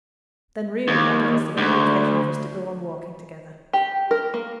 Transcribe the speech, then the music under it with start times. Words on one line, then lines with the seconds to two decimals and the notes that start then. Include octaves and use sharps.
'Then, really, I don't see any occasion for us to go on walking together.
0.88 D#2
1.58 D2
3.73 G4
4.11 A#4
4.34 A#3